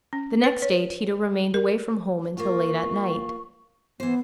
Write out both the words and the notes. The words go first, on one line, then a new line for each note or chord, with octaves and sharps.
The next day Tito remained away from home until late at night.
C#4
B4
C#5
A#4
A#3 F4 C#6
E3 B3 C5